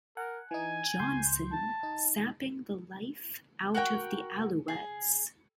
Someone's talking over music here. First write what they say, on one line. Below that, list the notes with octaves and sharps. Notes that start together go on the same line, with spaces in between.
Johnson, sapping the life out of the Alouettes.
A#4 F#5 G#5
E3 D#4 G#5
C#2 C6 G6
A5
D#4
F#4 A#4 F#5 G5
G#4